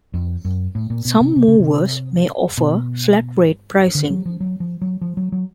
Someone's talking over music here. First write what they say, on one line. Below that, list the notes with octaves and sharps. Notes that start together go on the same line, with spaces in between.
Some movers may offer flat rate pricing.
F2
F#2
A2
A#2
B2
C3
C3
C#3
C3
B2
D3
F#3
F3
F#3
F3
F#3
F3
F#3
F#3